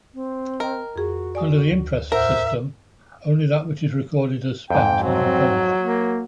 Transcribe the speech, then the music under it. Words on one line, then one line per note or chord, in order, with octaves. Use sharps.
Under the imprest system, only that which is recorded as spent is replenished.
C4
A#4 D#5 G5
F2 F#4 G#4
D5 G#5 D#6
D2
E2 A2 A#4 C5 E5 F#5
F2 G#2 G5
F#3 C4
A#3